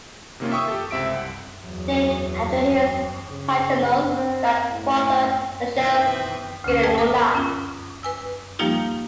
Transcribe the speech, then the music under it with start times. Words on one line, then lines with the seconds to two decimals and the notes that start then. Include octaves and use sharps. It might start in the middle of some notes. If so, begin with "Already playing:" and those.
Named after his paternal grandfather Michele Scicluna.
0.40 C3 D#3 A#3 C#4 F4
0.52 E5 G5 C#6 D#6 E6
0.68 G4 A4
0.91 C#2 C3 C4 E5 B6 D7
1.14 C2 F#5
1.62 E2 F#3
3.30 C#3
4.11 C4
4.70 A2
5.77 B2 D#3 E3 C4 B4 E5 G5
6.64 D2 D3 C#4
6.83 G#4 B4 D#5 G5 A5 A#5
6.98 A#4 D6 D#6
7.34 C#4 F4
8.03 B4 G#5 E6
8.59 F3 G3 A#3 D#4 F4 G4